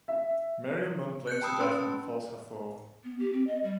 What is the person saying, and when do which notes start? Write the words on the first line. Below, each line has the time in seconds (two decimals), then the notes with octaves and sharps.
Meriamun blames the death on the False Hathor.
0.08 E5
1.27 F#6 G6 C#7
1.42 G5 A5 B5 D#6 E6 G6
1.60 C#4 B4 C6
3.03 B3
3.19 G4
3.33 C4
3.46 D#5
3.63 G3